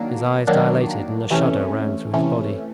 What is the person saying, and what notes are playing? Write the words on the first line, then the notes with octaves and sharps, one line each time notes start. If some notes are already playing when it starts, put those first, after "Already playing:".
His eyes dilated and a shudder ran through his body.
Already playing: D#3 F#3 A#3 D4
D#3 F#3 A#3 D4
C3 E3 A3 C#4
C3 E3 A3 C#4